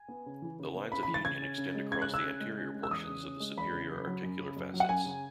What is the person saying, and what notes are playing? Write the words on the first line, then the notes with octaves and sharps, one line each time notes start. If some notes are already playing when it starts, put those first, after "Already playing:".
The lines of union extend across the anterior portions of the superior articular facets.
Already playing: G#5
B3
C#3
E3
C#3
B3
C#3 B5
B5
E3
A6
C#3 G#6
C#4
C#3
G#3
C#3 G#6
F#6
C#4
E6
C#3
G#3
C#4
G#3
E6
E2 D#6
C#3
C#4
G#3
E2 B5
C#3
F#2
F#3
F#2
C#3
F#2
F#3
F#5
F#2 G#5
C#3